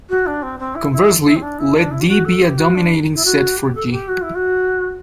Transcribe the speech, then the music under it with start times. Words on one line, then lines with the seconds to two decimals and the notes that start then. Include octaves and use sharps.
Conversely, let "D" be a dominating set for "G".
0.09 F#4
0.26 D4
0.42 C4
0.59 C4
0.75 E4
0.92 E4
1.25 E4
1.36 C4
1.42 D4
1.59 E4
1.75 D4
1.91 E4
2.01 G4
2.08 F#4
2.24 A4
2.42 G4
2.58 F#4
2.74 D4
3.14 E4
3.25 F#4
3.57 G4
3.74 A4
3.87 A4
3.91 G4
4.08 F#4
4.21 E4
4.34 F#4